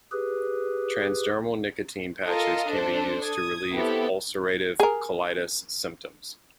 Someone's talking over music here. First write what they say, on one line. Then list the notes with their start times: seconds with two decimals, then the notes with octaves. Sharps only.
Transdermal nicotine patches can be used to relieve ulcerative colitis symptoms.
0.12 G4 G#4 B4
2.27 F4 A4 A#4 D#5 F5
2.68 D4 A4 C5
3.24 D#6 G#6
3.73 B3 C4 E4 G4 A4
4.80 G#4 A#4